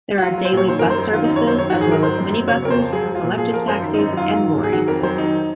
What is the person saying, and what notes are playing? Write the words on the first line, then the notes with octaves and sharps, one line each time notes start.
There are daily bus services as well as minibuses, collective taxis and lorries.
F#4
F#3 F4
F4
F#3
C5
A#2 C#5
D#3 C5
A#4
F#2
C5
F#3
D#3 F4
D#4
F#2
C#5
F#3 C5
D#3 C#5
F#4
G#2
G#4
F#3 A#4
D#3 C5
F#2
F#3
C#3 C#5
F2 A#4
C5
F3
F#3 G#4
F#3
F4
A#2
F3 G#4
F3 A#4
F#2 C5
D#3
D#4
F#2
D#4
F#3 F4
D#3
G#2
F#3
G#4
D#3 F#4
F2 A#4
F#3 C5
D#3 D#4